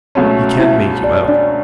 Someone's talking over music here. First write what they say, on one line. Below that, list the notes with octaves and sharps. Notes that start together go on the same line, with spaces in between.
He can't make you out.
C#2 B2 F#3 A3 C#4
E4 E5
D5
C#5
D4 D5